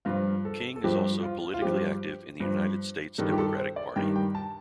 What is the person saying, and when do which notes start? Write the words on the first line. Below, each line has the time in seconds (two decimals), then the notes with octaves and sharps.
King is also politically active in the United States Democratic Party.
0.05 G2 F3 F4
0.45 A4
0.76 A4
0.84 G2 F3 G4
1.23 F4
1.54 F4
1.62 G2 F3 G4
2.40 G2 F3
3.18 G2 D#3 G3 A4
3.32 G4
3.38 A4
3.57 C5
3.76 D5
3.96 G2 D#3 G3 G5
4.16 G5
4.35 A5